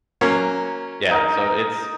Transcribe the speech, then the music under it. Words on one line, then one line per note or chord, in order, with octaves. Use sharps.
Yeah, so it's
F#3 A#3 C#4
D#4 A#4